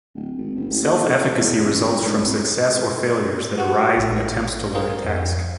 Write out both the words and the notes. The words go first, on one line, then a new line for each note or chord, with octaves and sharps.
Self-efficacy results from success or failures that arise in attempts to learn a task.
D1
G#1
F#1
A1
D#2
C#3
E2
A1
G2
G#2
C2
F#4 G4 F#5
A1 A2
G#4 A#4 C5 F5
F2